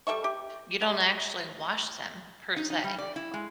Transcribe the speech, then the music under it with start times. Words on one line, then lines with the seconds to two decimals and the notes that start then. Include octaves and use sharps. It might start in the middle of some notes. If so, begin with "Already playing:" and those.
you don't actually wash them per se,
0.07 G3 A4 E5 C#6
0.24 G4
0.82 G3
2.56 D#4
2.70 D#4
2.84 G3
2.98 D5
3.16 E4
3.34 G#3